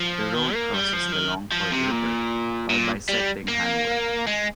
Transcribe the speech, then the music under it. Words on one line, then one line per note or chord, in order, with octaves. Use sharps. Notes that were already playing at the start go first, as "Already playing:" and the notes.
The road crosses the Longford River while bisecting Hanworth.
Already playing: F3
D#3
A#3
G3
F3
D#3
F3
C3
A#2
A#2
G3
A#3
G#3